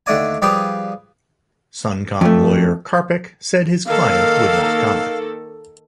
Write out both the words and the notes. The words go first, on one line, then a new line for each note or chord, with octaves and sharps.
SunCom lawyer Carpick said his client would not comment.
D#2 D3 A3 D4 D5 G#5
F3 G3 F4 G4 G#4 B4
F2 A3
D#3 A#3 A4 F5